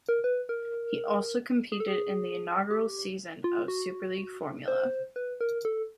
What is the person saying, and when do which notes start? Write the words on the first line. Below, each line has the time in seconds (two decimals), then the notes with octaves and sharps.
He also competed in the inaugural season of Superleague Formula.
0.09 A#4
0.24 B4
0.49 A#4
1.72 G#4
1.80 A4
1.88 G#4
2.71 G4
3.44 F4
3.68 F#4
4.68 C5
5.16 B4
5.41 A#4
5.65 A4